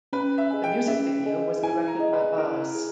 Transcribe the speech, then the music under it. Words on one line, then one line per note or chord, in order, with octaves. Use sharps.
The music video was directed by Baz.
C#4 B4
E5
G#4 D#5 G#5
G5
C#4 E5
G#4 D#5 G#5
E4 G#5
A#5
G#4 D#5
B4
E4 A#4
G#4